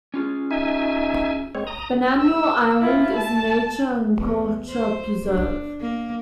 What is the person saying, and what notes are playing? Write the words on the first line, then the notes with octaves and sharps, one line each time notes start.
Bananal Island is a nature and culture preserve.
C#4 F4 G#4
D#4 E5 G#5
G#3 C4 C#5
A#5 D#6
E6
E4 F4
A5
E2
C5
D4
A#3